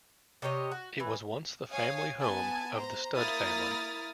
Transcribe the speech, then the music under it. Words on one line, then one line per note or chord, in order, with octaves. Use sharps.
It was once the family home of the Studd family.
C3 G4 C#5 D#5
F#4
E3 B4
C#5 F5 G#5 D#6
B3 G#5 A5
C5 A#5
A#3 E4 A#5 D#6 F6 A6